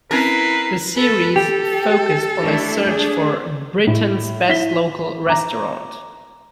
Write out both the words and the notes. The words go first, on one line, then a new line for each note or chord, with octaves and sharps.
The series focused on a search for "Britain's best local restaurant".
C4 C#4 E4 A#4 B4 C7
A4 B4
G4 A4
A3 D4 E4
A3 D4 G#4
A2
E4 B6 G7
A#5 D6